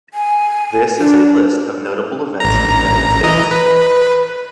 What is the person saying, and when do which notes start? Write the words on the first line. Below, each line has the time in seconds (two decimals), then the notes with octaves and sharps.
This is a list of notable events in the United States.
0.14 G#5
0.98 D4
2.40 A1 A#5
3.23 E3 D#5 A#5
3.51 B4